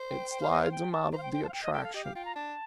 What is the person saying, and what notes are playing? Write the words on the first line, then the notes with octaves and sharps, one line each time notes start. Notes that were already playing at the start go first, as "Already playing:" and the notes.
"It slides 'em out of the attraction."
Already playing: C5
G5
G5
F5
D#5
F5
G5
A5
C5 A#5
F5
G5
G5
A5
F5
G5
D#5
A4 G5
F5
G4 D#5
F5
F4 G5
A#5
D4 A5